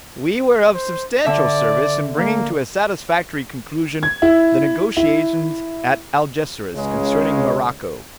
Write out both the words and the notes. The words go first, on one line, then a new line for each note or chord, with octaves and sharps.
We were of substantial service in bringing to a satisfactory conclusion the negotiations at Algeciras concerning Morocco.
C5
D3 D5 E5
A#3
G#6
E4
E4
C#2 C#3 G#3 C#4